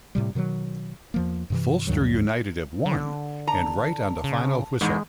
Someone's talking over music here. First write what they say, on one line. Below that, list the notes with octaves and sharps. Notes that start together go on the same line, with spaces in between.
Fulchester United have won, and right on the final whistle!
A2 C3 G3
B2 D#3 E3 F#3
E2 F3 A#3
G2 C3 E3
D2 G2 D#3 F#3
D3
A5 A#5
C#3
E2 G#2 G#3